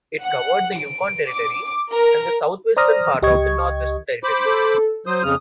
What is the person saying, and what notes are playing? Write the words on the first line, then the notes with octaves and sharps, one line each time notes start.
It covered the Yukon Territory, and the southwestern part of the Northwest Territories.
F#5
D7
D6
A#4
C5 D5 A#5 D#6 F6 A#6
C#2 G4 D#5 C#6 G#6
C5 B5 D6
A4
F#3 C5 D#6
F2 C#3 F6